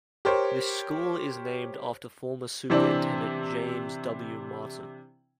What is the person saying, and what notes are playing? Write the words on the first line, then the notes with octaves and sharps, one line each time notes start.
The school is named after former Superintendent James W. Martin.
G4 A#4 C5 C#5
C3 E3 C4 D4